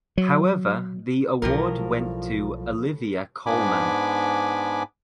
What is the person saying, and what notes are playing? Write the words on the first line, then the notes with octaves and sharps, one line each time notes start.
However the award went to Olivia Colman.
F#3
B1 A2 F3 G3 A#4
G#2 B3 D4 G#5 B5 D6